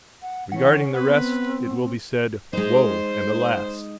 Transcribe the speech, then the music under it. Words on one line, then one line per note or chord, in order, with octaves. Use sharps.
Regarding the rest it will be said, Woe, and, alas!
F#5
E3 C#4 F#5
B3 C4 B4
G#3 D#4 C5